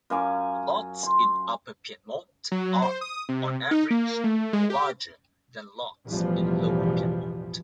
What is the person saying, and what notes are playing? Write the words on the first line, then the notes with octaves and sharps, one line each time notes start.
Lots in upper Piedmont are, on average, larger than lots in lower Piedmont.
F#2 F5 G#5 D6
C6
F#3
C5
D#6
C3
D#4
A#3
A3
G#3
G4
A1 E2 B2 E3 F3 G3